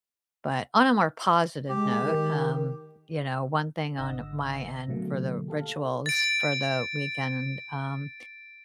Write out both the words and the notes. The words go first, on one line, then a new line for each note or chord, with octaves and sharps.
but on a more positive note, um, you know, one thing on my end for the rituals for the weekend, um,
G#3 G4
D#3
G#1 D3 D#5 F#5 E6 A#6
B2 D3 F#3 A3 A#3
G4 A4 F5
A6 D7